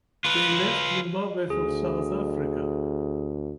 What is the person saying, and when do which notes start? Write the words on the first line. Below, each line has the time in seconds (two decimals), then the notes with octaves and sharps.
They left Zimbabwe for South Africa.
0.25 F4 B4
1.50 D2 G#4